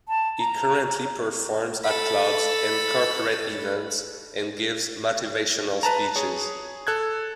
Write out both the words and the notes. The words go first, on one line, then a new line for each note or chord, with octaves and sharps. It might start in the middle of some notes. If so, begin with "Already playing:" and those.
He currently performs at clubs and corporate events and gives motivational speeches.
A5
A#5
A4 B5
B4 A5 A#5
G#4 C#5
A4 F#6 G#6